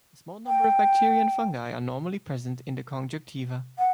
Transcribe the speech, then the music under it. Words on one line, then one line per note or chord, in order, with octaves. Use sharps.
A small number of bacteria and fungi are normally present in the conjunctiva.
G5
F#5